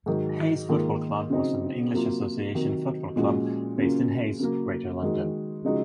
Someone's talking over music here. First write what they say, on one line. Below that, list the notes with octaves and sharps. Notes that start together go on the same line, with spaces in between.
Hayes Football Club was an English association football club based in Hayes, Greater London.
G#2 D#3 F#3
G#2 D#3 A#3 F4
C#3 F#3 C4 D#4
C3 F#3 A#3 F4
C3 D#3 F#3
A#2 F3 G#3 C#4 F#4
C#3 F#3 A#3 C#4 F4
C#3 F#3 A#3
D#3 G#3 D#4 F#4
C#3 F3 G#3 D#4 F#4